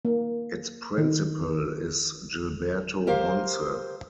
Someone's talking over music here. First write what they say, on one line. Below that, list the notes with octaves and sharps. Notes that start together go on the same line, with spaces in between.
Its principal is Gilberto Bonce.
A#3
D#3
G4 A#4 C5 F5